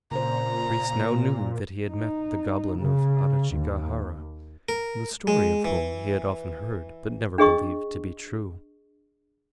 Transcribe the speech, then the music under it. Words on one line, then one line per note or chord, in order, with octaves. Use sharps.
The priest now knew that he had met the Goblin of Adachigahara, the story of whom he had often heard but never believed to be true.
A#2 C#3 C5 A#5
D#4
C#3
D#2
A#4
G#3
E3
D4 G#4 D#5 C#6